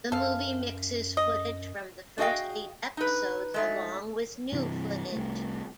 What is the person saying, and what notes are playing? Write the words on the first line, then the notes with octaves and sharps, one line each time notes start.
The movie mixes footage from the first eight episodes along with new footage.
F#2 A4 F5
D#5
D4 F#4 G#4 D#5 F5 G5
D#4 B4
G#3 A3 D#4
G2 C3 E3 G3
C2 A3